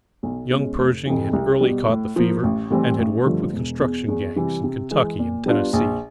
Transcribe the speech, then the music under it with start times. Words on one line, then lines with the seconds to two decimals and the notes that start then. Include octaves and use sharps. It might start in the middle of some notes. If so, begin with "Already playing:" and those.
Young Pershing had early caught the fever, and had worked with construction gangs in Kentucky and Tennessee.
0.23 B1
0.50 B2 G#3 C#4
0.78 F1
1.06 F2 C3 E3
1.33 C2
1.61 B2 G3
1.88 A2
2.16 F3 A#3
2.43 A1
2.70 A2 E3 G3 C4
2.98 A1
3.25 G2 D3 F3 A3
3.53 E1
3.81 E2 B2
4.08 E2
4.36 C3 E3 G3
4.64 C3
4.91 E3 G#3
5.19 A#2
5.46 G3 B3 D4 F4
5.73 A#1